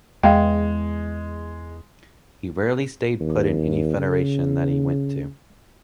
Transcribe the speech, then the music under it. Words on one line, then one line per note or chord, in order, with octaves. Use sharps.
He rarely stayed put in any federation that he went to.
E2 G#3 F5 G5
D#2
C#3